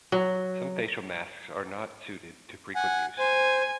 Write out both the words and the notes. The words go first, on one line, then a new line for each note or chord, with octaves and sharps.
Some facial masks are not suited to frequent use.
F#3
F#5 G#5
C5 G#5